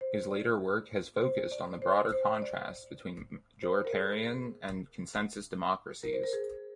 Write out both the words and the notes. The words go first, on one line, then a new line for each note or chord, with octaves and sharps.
His later work has focused on the broader contrasts between majoritarian and "consensus" democracies.
C5
D5
C5
D5
C5
C5
D5
C5
A#4
G#4
A#4
C5
A#4
G#4